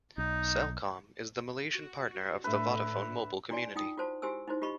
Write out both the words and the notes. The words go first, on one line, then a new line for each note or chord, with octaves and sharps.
Celcom is the Malaysian partner of the Vodafone mobile community.
B1 D#4
F#4
A2 D3 B4 E5
D4 E4 F#4 D5 G#5
D#4 F4 G5 D#6
F4 F#4 C5 A5
E4 F#4 G4 C5 G#5 E6
D#4 E4 F#4 C5
F4 G4 D#5 B5 C#6